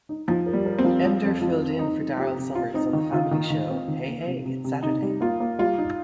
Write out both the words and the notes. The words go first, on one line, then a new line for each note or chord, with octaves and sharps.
Emdur filled in for Daryl Somers on the family show "Hey Hey It's Saturday".
D#4
F3 D#4
A#4
G3
A#4
C4
F3
F3
F2
F3
F2
F2 D#4
F2
F3 G4
C3
C4 F4
C4 D#4
D#3
D#3 F4
D#3
D#3
C4
D#3
A#3
C3
C3
C3
C3 D#4
G3
A#3 F4
A#3
G3 F4
D#4